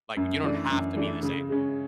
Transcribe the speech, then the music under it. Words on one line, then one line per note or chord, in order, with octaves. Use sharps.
Like, you don't have to be this angry."
F#2
E3 A3 D4
F#2
E3 A3 D4
C#3
G#3 C#4